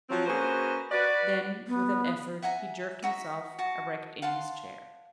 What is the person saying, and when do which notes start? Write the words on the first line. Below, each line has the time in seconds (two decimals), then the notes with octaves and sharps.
Then, with an effort, he jerked himself erect in his chair.
0.10 F3 F#3 C4
0.26 A#3 C#4 F#4 G#4 B4 C5
0.92 F#4 B4 D5
1.68 B3
2.42 E5 F#5 G#5 A#5
3.02 D#4 F#4 E5
3.59 F#4 A5
4.22 F5 F#5 A5 C6